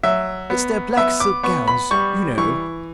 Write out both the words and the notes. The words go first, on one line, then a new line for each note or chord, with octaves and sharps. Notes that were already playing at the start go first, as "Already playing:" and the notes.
"It's their black silk gowns, you know."
F#3 E5
B3
B3 E5
D6
B3 C#6
B5
G3 C#6
E3 C#6